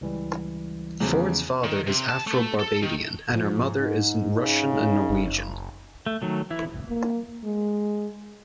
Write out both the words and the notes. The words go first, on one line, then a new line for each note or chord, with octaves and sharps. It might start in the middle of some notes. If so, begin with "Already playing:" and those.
Ford's father is Afro-Barbadian and her mother is Russian and Norwegian.
C#2 E3 G3
E2 C#3 F3 F#3 A3
D#3
C3
A5
A3
A4
D#3
G#2 F3
D#4
C#3
F#1
A3
D#3 F#3 A3
E3 E4
A#3
G#3